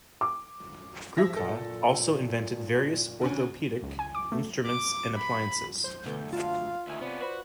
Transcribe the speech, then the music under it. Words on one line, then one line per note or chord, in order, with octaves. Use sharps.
Gruca also invented various orthopaedic instruments and appliances.
D6
F3 E5 A#6
A#2 A4
D2 C#4
C#2
G#5
D6
A3
D6
B5
C5 G6
D2 B2 D3 A3 G6
F4 F5 A5
D2 D#3 E5 G#5
C3 B3 C#4 D5
F#4 B4 C5 B5